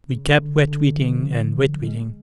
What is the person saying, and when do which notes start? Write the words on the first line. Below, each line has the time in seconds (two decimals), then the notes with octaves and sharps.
We kept wetweating and wetweating.
0.09 C#3
0.39 D3
0.67 D3
0.98 F3
1.41 F#3
1.84 G#3